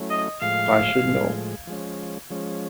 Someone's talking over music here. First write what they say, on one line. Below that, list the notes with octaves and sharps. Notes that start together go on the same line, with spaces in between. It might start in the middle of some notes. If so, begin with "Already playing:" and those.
I should know.
Already playing: F#3 A3 C#4 E4
D#5
A2 F3 G#3 F5
A2 F3 G#3
F3 G#3 C#4
F3 G#3 C#4